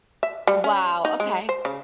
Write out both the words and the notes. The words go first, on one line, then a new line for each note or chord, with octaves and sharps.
Wow, okay.
E5
G3
C#4
D#4
G#3
C5
C#3